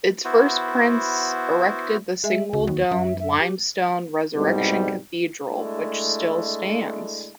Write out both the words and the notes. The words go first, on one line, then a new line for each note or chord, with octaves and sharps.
Its first prince erected the single-domed limestone Resurrection Cathedral, which still stands.
B3 E4 F#4 C5
G#3 E5
C#2 F#4
D#2
F#2 E5
E5
G4
C2 G#2 B2 G3
G#3 A3 D4 E4